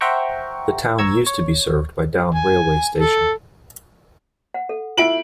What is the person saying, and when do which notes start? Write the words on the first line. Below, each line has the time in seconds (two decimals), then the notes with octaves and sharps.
The town used to be served by Doune railway station.
0.01 C5 E5 F#5 G5 A#5 C#6
0.98 A#5 C#6 E6 G#6
1.27 C#5
2.34 G#5
2.98 A4
4.54 F#5
4.69 A4
4.97 E4 F4 D7 F#7